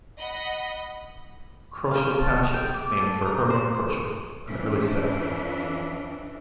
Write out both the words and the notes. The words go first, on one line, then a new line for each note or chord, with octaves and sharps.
Kroschel Township was named for Herman Kroschel, an early settler.
D#5 F#5 B5
F5
A5
G5
D6
A4
A#4
C5
F2 E3 C#4 D4